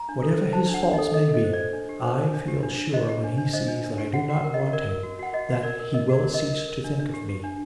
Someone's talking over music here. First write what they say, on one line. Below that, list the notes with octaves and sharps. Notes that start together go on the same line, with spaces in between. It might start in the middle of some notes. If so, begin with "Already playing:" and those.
Whatever his faults may be, I feel sure when he sees that I do not want him, that he will cease to think of me...
Already playing: A#5
D4
A4
C5
C5 A5
D4
F#5
D4
A4 D#5
A4 D#5
A4
D#5
C5
D5
C5
D4
G4
C5
C5
D4
G4
D4
D4
C5 D#5
G4
D4
D4
C5 D#5
D4
D4
G4
F#4 F#5
F#4 F#5
A#4
D#5
F#4
A#4 D5
A#4
F#4
F#4 F#5
F#4 D#5
F#4
A#4 D5
A#4
A#4 D#5
F#4 D5
A#4
A#4 D#5
A#4
A#4
D4
D4
G4
G4
D4